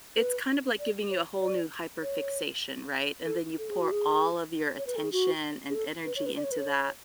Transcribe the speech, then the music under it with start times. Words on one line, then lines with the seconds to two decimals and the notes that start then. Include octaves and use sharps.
it's kind of like giving you a whole new hyperfixation, right, and then you pour all of your attention and energy into that,
0.17 B4
0.79 D5
1.10 C#5
1.41 D5
2.02 C#5
3.21 B4
3.26 A4
3.58 A4
3.69 G#4
3.80 F#4
3.92 G#4
4.77 C#5
4.86 B4
4.95 A4
5.04 G#4
5.12 F#4
5.69 G#4
5.74 A4
6.05 B4
6.16 C#5
6.26 B4
6.36 D5
6.44 C#5
6.51 B4
6.59 C#5